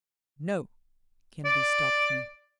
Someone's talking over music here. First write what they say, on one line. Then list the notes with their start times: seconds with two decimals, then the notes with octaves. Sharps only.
"No!" Kennedy stopped me.
1.45 D5